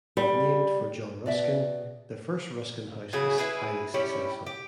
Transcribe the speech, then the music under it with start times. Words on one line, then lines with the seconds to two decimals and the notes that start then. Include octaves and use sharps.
Named for John Ruskin, the first Ruskin House was highly successful.
0.17 G3
1.26 B2 D5 E5
3.13 C#3 F#3 E4 G#4
3.38 E4 G#4 B4
3.94 G3 C#4 E4 G4
4.46 G4